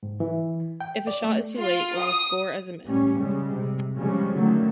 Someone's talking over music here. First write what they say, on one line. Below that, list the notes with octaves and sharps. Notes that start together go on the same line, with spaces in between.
If a shot is too late, it will score as a miss.
G#2
E3
G5
D5
A3
F4
D#6
A1 G3 C#4
C#3 G3 G#3
C3
C#3 F3 G3 G#3 C#4
D3 D#3 F#3 A3